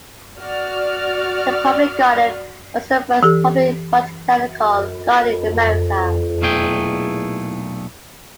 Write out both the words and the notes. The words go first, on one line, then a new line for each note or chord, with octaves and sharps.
The Public Garden was the first public botanical garden in America.
F#4 D5 F6
E3 G4 A4
B1 A#2 A3 G#4 G5